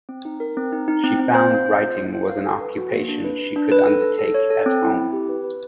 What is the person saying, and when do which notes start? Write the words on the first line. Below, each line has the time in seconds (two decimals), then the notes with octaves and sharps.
She found writing was an occupation she could undertake at home.
0.09 C4
0.25 D#4
0.40 A#4
0.57 C4
0.72 D#4
0.88 D#4
1.04 C4
1.19 C4
1.35 C5
1.50 F5
1.66 C5
1.82 F4
1.98 F4
2.14 C5
2.29 F5
2.45 A4
2.61 B4
2.77 F#4
2.93 A#3
3.08 D4
3.24 B4
3.39 B4
3.56 D4
3.72 B4
3.87 A4
4.02 A4
4.19 A4
4.34 C#5
4.50 A4
4.66 C4
4.82 E4
4.97 E4
5.13 G4
5.29 B4
5.44 B4